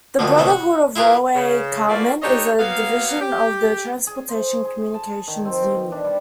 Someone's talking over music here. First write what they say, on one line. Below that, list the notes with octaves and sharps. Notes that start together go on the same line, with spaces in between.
The Brotherhood of Railway Carmen is a division of the Transportation Communications Union.
D2 D3 D#3 F3
C2 G#2 C#3 E3 A3
F#4
E4 F4 G#4 A#4 B4
C#3
E3 A3 A#3 F4 F#4 D5
D4 D#4 G4 A4 C#5 D#5
F#3 A#3 B3 F5
G4
G#4
C5
G#4
A5
D#3
C4
B2
D4
G3